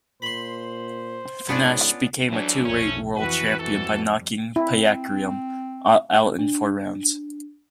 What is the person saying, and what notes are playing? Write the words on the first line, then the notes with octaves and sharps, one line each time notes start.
Fenech became a two-weight world champion by knocking Payakarum out in four rounds.
A#2 C5 B5 C6
G#2 B3 C#4 D4 F4
D2 E3 F#3 D4
B1 F2 A3 C#4
F2 E3 F#4 B4
F2 E3 G3 F#4 A4
C4 E4
D4